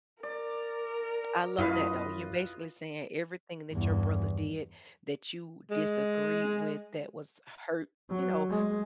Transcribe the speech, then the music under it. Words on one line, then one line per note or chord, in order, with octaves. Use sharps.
I love that, though. You're basically saying everything that your brother did that you disagree with that was hurt you know,
A#4 D5
F#2 E4 F4 B4 D#5 F5
E2 G2
G#3
F#3
G#3